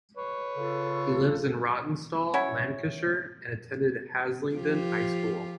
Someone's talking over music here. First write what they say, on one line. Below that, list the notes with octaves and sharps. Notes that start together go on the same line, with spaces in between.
He lives in Rawtenstall, Lancashire, and attended Haslingden High School.
B4 C#5
C#3 F4 A4
C#4 E4 F#4 C#5
F3 F4 G4